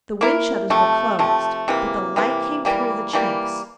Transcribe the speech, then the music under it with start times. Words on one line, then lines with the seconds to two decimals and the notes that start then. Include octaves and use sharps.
The window-shutters were closed, but the light came through the chinks.
0.21 A#3 E4 A#4
0.70 C3 F3 A3
1.19 C3 F3 A3
1.68 C3 E3 A#3
2.16 C3 E3 A#3
2.65 E3 G3 A#3
3.13 E3 G3 A#3